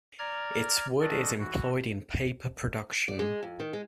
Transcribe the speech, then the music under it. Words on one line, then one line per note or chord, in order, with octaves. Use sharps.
Its wood is employed in paper production.
D5 A#5 F6 G#6
D#3 D4 A4 D5 D#5
E3 F#4
D5
G#3
F2
D#3
G#3